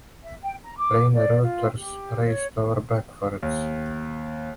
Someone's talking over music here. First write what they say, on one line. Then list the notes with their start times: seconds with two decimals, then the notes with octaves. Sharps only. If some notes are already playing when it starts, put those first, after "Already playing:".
Rainer Reuter raced over backwards.
0.24 E5
0.42 G5
0.62 A#5
0.77 D6
1.15 D5
1.42 F4
1.77 G4
2.25 C#5
3.43 D#2